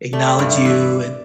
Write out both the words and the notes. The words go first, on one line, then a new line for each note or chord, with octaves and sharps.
acknowledge you, and
A3 D5
E5
D5
E5
G2 D5
E5
D5
E3 E5
D5